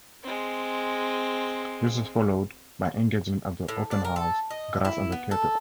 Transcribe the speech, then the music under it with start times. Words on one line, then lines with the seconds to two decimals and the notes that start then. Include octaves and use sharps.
This was followed by engagements at the Opernhaus Graz and the Theater Augsburg.
0.23 G#3 C4
3.68 A2
3.91 D4
4.04 A#4
4.16 A4
4.51 D#5
4.85 E4
5.12 B3
5.31 A4